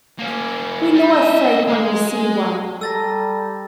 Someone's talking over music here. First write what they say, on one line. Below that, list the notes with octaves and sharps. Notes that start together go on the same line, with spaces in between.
We know a fake when we see one.
A#3 C#4
G3
D#5 E5
G#3
G3 A4 A5 A#5 E6 A6 A#6